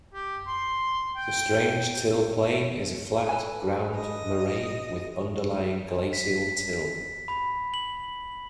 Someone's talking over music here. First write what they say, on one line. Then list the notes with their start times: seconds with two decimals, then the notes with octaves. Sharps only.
The Strange Till Plain is a flat ground moraine with underlying glacial till.
0.14 G4
0.47 C6
1.16 G5
3.29 A4 B4 G#5
3.95 D#5
6.13 B6
7.28 B5
7.74 F#7